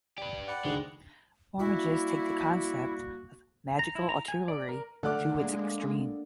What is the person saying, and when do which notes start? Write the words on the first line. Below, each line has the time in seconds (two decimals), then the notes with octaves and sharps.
Warmages take the concept of "magical artillery" to its extreme.
0.18 G4 B4 D5
0.48 D5 F#5 G5 B5 F#6
0.65 D2 D3 D#3 G#3
1.59 G3 A#3 E4 F#4
3.79 A#5
3.95 E4
4.09 A#5
4.28 G#5
4.48 D5
4.69 A#4
5.03 D3 A3 A4 D5 F#5 D6 F6
5.39 G#3 A#3 D4